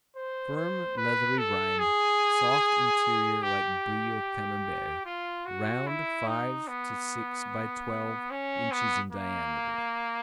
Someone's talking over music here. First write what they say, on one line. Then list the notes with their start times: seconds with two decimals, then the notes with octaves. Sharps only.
Firm, leathery rind, soft interior like Brie or Camembert; round, five to six by twelve inches in diameter.
0.16 C5
0.56 C5
0.97 B4
1.38 A4
1.79 G#4
3.42 G4
5.05 F4
5.46 F#4
5.87 E4
6.27 D#4
6.68 B3
8.31 C#4
8.72 B3
9.13 A#3